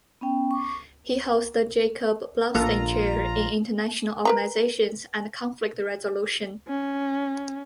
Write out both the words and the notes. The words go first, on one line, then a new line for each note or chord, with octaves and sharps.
He holds the Jacob Blaustein Chair in International Organizations and Conflict Resolution.
B3 C#4 G5
C#6 D6
A#1 A#3 F4 A4 A#5
A#4 B4 A#5
C#4